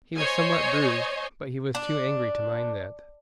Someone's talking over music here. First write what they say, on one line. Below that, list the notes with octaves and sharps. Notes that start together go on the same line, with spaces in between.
He was somewhat bruised, but he was too angry to mind that.
C5 C#5 D#5 G#5
D4